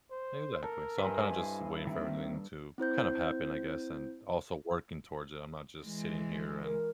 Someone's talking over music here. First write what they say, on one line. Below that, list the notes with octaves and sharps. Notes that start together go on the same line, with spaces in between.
Exactly. So I'm kinda just waiting for everything to kind of happen, I guess, and also working towards it. I'm not just sitting here and
C5
A4 A#4
G2 C5 D#5 E5 G#5
E4
D#3 A#3 C4 E5
C4 E4 C5 G6
E3 G#3
A#4